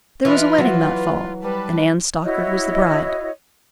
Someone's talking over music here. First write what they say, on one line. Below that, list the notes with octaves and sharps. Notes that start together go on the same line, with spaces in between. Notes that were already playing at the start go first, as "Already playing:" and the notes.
There was a wedding that fall and Anne Stockard was the bride.
E3 F4 D#5 B5 F6
F#3 B4
G3 B4 A5
E4 F#4 C#5 D#5